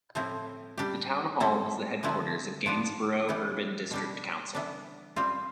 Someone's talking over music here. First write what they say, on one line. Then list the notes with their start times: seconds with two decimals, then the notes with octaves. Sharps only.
The town hall was the headquarters of Gainsborough Urban District Council.
0.15 A2 F3 C4 E4
0.78 G3 D4 G4
1.40 G3 C4 E4 A4
2.03 D3 F3 B3 E4
2.66 F3 B3 D4
3.29 E3 G3 B3 E4
3.91 B2 G3 D4
4.55 E3 B3 D4
5.16 G3 C4 F4